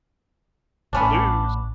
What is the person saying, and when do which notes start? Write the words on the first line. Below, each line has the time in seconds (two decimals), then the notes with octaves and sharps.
to lose.
0.93 A1 B3 C#4 D4